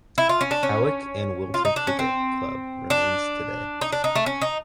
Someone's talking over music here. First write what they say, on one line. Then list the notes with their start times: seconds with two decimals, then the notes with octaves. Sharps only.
Hawick and Wilton Cricket Club remains today.
0.18 E4
0.29 F4
0.41 C#4
0.51 D4
0.63 C#4
1.54 F4
1.65 D#4
1.76 D4
1.87 C#4
1.99 C4
2.90 D4
3.81 D#4
3.92 D4
4.04 D#4
4.15 A3
4.26 C#4
4.42 D#4